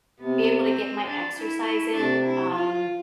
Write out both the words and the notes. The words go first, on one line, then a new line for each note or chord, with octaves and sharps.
be able to get my exercise in, um
C3 B3
C4
D4
E4
E4
C3 D4
E4
F4